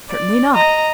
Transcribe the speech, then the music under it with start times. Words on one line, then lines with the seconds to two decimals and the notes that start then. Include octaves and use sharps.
"Certainly not."
0.10 D5
0.55 D#5 A#5